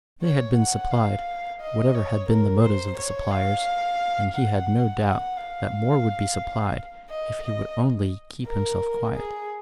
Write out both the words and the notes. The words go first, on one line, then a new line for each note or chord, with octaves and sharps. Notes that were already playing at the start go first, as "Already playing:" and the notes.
They had been supplied, whatever had been the motives of the suppliers; and he had no doubt that more would be supplied if he would only keep himself quiet.
C#5
F#5
F5
D#5
C#5
A#4
C5
C#5
F5
F#5
F#5
F5
D#5
D#5
A#4
G#4